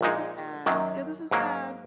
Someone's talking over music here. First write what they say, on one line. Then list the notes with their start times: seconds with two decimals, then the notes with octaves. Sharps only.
"This is bad. Yeah, this is bad."
0.01 A#1 A#2 G#3 D#4
0.66 F#2 D#3 F#3
1.31 G#2 F#3 A#3